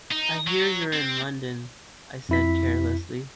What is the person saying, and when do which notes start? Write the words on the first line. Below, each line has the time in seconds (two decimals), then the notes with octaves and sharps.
"I hear you're in London," I said carelessly.
0.12 D#4
0.47 F#3
0.93 C4
2.29 F2 E4 B6